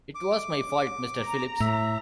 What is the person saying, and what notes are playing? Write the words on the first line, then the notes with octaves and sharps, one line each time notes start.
It was my fault Mr. Phillips.
D6
A#5
A2 E5